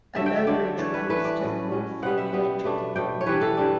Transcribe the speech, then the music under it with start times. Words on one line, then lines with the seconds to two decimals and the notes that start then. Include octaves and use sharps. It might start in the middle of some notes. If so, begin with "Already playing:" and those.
A low ridge runs to the north from the edge of the northern rim.
0.16 D3 F#3 A3 E5
0.26 G5
0.37 E5
0.47 D3 F#3 A3 D5
0.78 E3 A3 D4 C#5
0.94 B4
1.09 E3 A3 D4 B4
1.25 D5
1.40 A2 F#3 C#4
1.71 A2 F#3 C#4
2.02 B2 G3 B3 F#5
2.17 E5
2.33 B2 G3 B3
2.64 B2 A3 D4
2.96 B2 A3 D4 G5
3.21 C#5
3.26 E3 G3 D4 B4
3.41 A4
3.57 E3 G3 D4